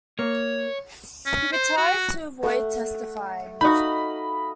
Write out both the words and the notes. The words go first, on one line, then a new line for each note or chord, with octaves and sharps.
He retired to avoid testifying.
A#3 C#5
C#4
C5
F#4
A3 F#5
D#4 F#4 D#5 F5 B5